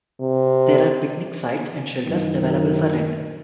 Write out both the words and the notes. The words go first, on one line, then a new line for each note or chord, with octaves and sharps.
There are picnic sites and shelters available for rent.
C3
F#2 D#3